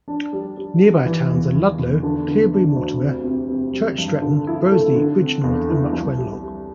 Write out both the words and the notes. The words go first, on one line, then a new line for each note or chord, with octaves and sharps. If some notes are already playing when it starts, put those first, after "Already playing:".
Nearby towns are Ludlow, Cleobury Mortimer, Church Stretton, Broseley, Bridgnorth and Much Wenlock.
D4
G3
G3
G3
E3
E2
E3
E2
D3
D3
D4
D2
C3
C3
C3
G3
G2
D3
E4
A3
D3
C4
E2
E4
C2
G3
G3